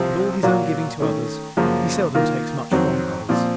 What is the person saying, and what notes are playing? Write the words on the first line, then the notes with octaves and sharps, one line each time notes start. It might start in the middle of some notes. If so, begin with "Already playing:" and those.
With all his own giving to others he seldom takes much from others.
Already playing: C2 C3 F3 C4
A#2 F#3 A#3 F4
D#3 A3 C#4
F#2 C#3 F3 A#3
D#3 A#3 F4 A#4
F2 D#3 F#3 C4
A#2 F3 C4 F4